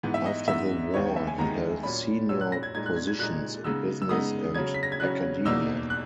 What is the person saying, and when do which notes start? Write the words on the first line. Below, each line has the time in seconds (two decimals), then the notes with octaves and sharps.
After the war he held senior positions in business and academia.
0.03 G#2 E3 B3
0.14 E5
0.26 D#5
0.48 G#2 E3 B3 E5
0.94 D#2 D#3 G#3 B3 D#4 C#5
1.05 C#5
1.16 E5
1.27 G#5
1.38 D#2 D#3 G#3 B3 D#4 A#5
1.83 A#2 F#3 C#4 B5
2.29 A#2 F#3 C#4 E6
2.41 F#6
2.52 A#6
2.63 G#6
2.75 A#2 G#3 D#4 G#6
2.86 F#6
2.96 G#6
3.07 G#6
3.19 A#2 G#3 D#4 F#6
3.64 C#3 G#3 B3 D#4 E6
4.02 E6
4.09 C#3 G#3 B3 D#4 D#6
4.55 C#3 F#3 C#4 G#6
4.74 B6
4.83 A#6
4.92 G#6
5.00 C#3 F#3 C#4 F#6
5.45 E2 B2 A#3 D#4 E6
5.90 F#6